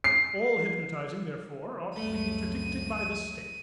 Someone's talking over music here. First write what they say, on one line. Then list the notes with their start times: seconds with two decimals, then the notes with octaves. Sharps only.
All hypnotizing therefore ought to be interdicted by the state.
0.04 C7
1.96 C#2 F#2 A3 D#7